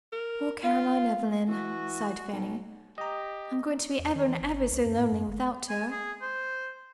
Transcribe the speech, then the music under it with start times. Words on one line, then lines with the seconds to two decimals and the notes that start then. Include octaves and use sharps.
"Poor Caroline Evelyn," sighed Fanny, "I'm going to be ever and ever so lonely without her."
0.12 A#4
0.63 F4 F5
1.48 E3 F#4
2.33 B1
2.98 G4 D#5 A#5
3.99 E2
4.15 D#3
4.28 E3
4.41 G1
4.57 G1
4.72 C#2
4.85 F#2
4.98 A2
5.12 F#2
5.28 G1
5.69 G#5
5.91 G#4
6.21 C5